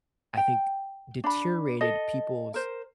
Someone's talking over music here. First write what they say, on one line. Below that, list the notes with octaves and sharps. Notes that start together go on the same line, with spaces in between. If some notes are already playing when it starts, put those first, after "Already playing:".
I think, deteriorated people's
G5
D4 B5
A4 D#5
A#4 C5